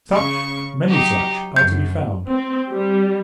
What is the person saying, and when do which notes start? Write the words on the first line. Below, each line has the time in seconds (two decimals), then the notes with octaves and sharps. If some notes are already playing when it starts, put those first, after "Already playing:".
Such, many such, are to be found.
0.12 C#3 C#6
0.87 F#3 D#4 G4
1.56 F#2 G6
2.29 C4
2.70 G3